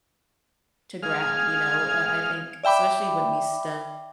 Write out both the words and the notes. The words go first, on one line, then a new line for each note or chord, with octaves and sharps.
to ground, you know? Uh, I think Especially when we study
G#3 F5 F6 G#6
D5 E5 G5 B5 D6